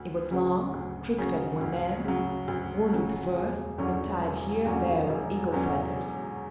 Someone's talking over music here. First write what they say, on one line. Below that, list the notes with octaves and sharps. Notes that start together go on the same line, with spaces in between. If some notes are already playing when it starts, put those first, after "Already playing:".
It was long, crooked at one end, wound with fur, and tied here and there with eagle feathers.
Already playing: D2
C#3 F#3
D2
C#3 F#3
D2
C#3 F#3
D2
C#3 F#3
E1
E2 D3 F#3 C#4
E1
E2 D3 F#3 C#4
E1
E2 D3 F#3 C#4
E1